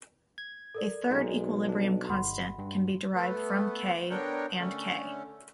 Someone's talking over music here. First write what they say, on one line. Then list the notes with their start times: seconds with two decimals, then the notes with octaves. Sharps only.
A third equilibrium constant can be derived from "K" and "K".
0.38 G#6
0.75 A4 A#4 D5
1.11 B1 G#3 D#4
1.69 D4
2.09 G1 F#5 B5 C6
2.59 G2
3.14 A3 B3
4.10 D3 B3 D4 A#4 C#5 G5
4.59 D3 A3 C#4